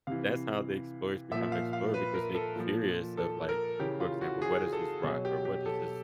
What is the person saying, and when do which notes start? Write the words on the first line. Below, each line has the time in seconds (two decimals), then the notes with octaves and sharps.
That's how the explorers become the explorer, because they curious of like, for example, "What is this rock," or, "What is this
0.07 C3 E3 F5
1.31 A#2 F3 E5
1.42 E5
1.52 F5
1.73 F5
1.94 B4
2.14 A#4
2.35 A4
2.56 A#2 F3
3.17 A4
3.49 A#4
3.79 C#3 E3 G4
4.00 F4
4.21 F#4
4.42 G#4
4.73 A4
5.03 B2 F#3 G#4
5.25 G4
5.45 G4
5.66 A4